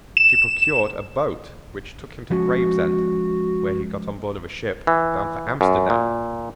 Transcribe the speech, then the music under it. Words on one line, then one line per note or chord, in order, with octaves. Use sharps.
She procured a boat which took him to Gravesend, where he got on board of a ship bound for Amsterdam.
E7
F3 G#3 C#4 F#4
E3
F#2
A#2